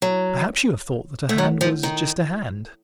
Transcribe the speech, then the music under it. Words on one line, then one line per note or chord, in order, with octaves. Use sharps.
Perhaps you have thought that a hand was just a hand.
F#3
A3
F#3
F3
D#3